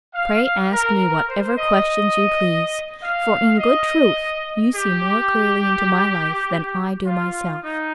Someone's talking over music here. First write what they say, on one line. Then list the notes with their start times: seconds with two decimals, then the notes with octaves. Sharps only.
"Pray ask me whatever questions you please; for, in good truth, you see more clearly into my life than I do myself."
0.13 F5
0.71 A#4
1.28 C5
1.57 D#5
3.02 F5
3.59 D#5
4.75 G4
7.05 F4
7.63 D#4